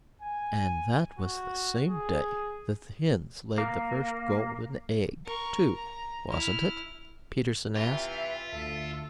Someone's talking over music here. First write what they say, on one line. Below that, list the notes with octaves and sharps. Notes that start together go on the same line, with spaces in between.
"And that was the same day that the hens laid the first golden egg too, wasn't it?" Peterson asked.
G#5
F#4
G#4
A#3
A#4 C#6
A#5
E4 F6
C3 E3 F4 E5 G5
D2 A4